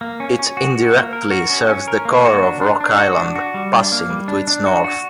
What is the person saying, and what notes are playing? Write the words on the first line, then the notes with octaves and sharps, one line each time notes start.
It indirectly serves the core of Rock Island, passing to its north.
A#3
C#4
C#4
F#4
F#4
A#3
A#4
F#4
C#4
C#4
A#4
A#3
F#4
D4
D4
D4
F#4
D4
F#4
G3
D4
A#3
G3
D4
D4
F#4
F#4